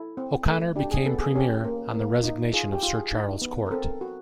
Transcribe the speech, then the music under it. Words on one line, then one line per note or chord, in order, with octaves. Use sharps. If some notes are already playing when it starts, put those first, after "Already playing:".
O'Connor became Premier on the resignation of Sir Charles Court.
Already playing: E4 A4
C4
A3
D4 G4
G#4
B3 A4
G#4
C#4 G4
A#3
A#3
D#4
F4 G#4
G4
F4
G#4
D#4
B3
A#4
C4 A4
F#4